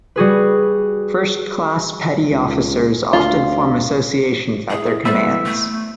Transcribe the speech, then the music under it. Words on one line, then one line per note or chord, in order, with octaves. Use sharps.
First-class petty officers often form associations at their commands.
G3 F#4 G#4 B4
C#2
D2 F4
E4 G#4
G3 B3 B4 C5 E5
A3